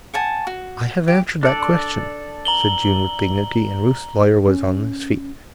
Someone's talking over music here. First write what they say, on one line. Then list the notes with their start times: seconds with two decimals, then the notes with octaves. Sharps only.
"I have answered that question," said June with dignity and Rufe's lawyer was on his feet.
0.14 F#5 G#5 A5
0.47 F#4
1.08 G4
1.43 D4 A4 D5
2.45 A#5 F#7 G7
4.48 C#4